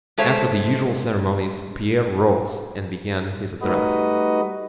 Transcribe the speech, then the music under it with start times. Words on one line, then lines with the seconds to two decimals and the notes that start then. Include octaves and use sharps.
After the usual ceremonies Pierre rose and began his address.
0.18 G#3 G#4 A4 C5 C#5 E5
3.62 G3 A3 D#4 F#4 B4 D#5